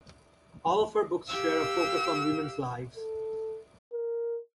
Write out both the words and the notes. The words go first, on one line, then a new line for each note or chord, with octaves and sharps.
All of her books share a focus on women's lives.
G4 F5 E6
A4
A#4